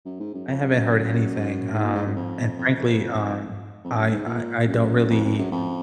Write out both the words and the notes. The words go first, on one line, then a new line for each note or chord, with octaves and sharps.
I haven't heard anything, um, and frankly, um, I I I don't really
F#2
G#2
F#2
F2
F#2
F#2
G#2
A#2
G#2
F#2
F2
F2
F2
F#2
G#2
A#2
F#2
F2
F2
F#2
F2